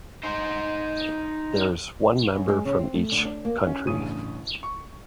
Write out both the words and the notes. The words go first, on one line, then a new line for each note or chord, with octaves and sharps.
There is one member from each country.
D#4 C5
F#2
G#3
C#3
C4
A3
D3
D4
A#3
C#4
A1 G2 C#3 C#4 D#6 D#7
C#6